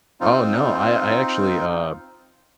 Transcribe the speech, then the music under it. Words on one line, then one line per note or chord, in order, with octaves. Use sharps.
Oh, no. I I actually, uh,
C4 D#4 F4